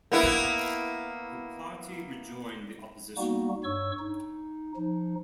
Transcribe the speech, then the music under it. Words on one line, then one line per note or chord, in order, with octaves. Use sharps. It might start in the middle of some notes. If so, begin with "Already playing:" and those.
The party rejoined the opposition.
A#3 B3 E4
G3 A#3 B3 D#4 F#4
G2 C#5 C#6 E6
D#4
F3 D#4